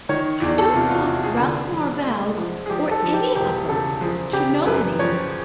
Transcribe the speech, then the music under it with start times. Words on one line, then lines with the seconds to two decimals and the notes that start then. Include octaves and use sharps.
I don't want Ralph Marvell--or any of them--to know anything.
0.09 D#3 C#5
0.42 E2 D5
0.58 A4
0.74 C3 F4
0.87 F#4
0.91 F4
1.07 C3 F#4
1.23 G#4
1.39 D3
1.72 F3
2.05 G#3
2.37 F3
2.66 G#4
2.70 F3 G4
2.91 A4
3.03 F3
3.13 G4
3.35 E1 G4
3.68 C#3 A4
4.01 F3 G#4
4.33 C#3 G4
4.66 F#2 B4
4.99 F3 C#5